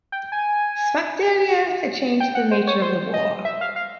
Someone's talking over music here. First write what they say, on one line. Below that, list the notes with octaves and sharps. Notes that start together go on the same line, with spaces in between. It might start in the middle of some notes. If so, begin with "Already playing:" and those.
Sphacteria had changed the nature of the war.
G5
G#5
G5
F#5
C5
C#5
C5
D#5
E5
F5
F5